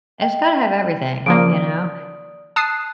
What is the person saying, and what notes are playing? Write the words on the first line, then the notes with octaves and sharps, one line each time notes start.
it's gotta have everything, you know,
D#5 G5
C#3 F3 A#3 D5 D#6 D7
A5 D#6 F#6 C7